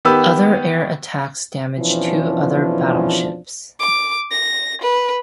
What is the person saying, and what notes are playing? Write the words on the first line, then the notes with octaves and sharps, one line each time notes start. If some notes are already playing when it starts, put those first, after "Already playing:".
Other air attacks damage two other battleships.
D#3 B3 G4 B5 E6
F2 B2 E3 F3 C#4 D4
D6
A#6
B4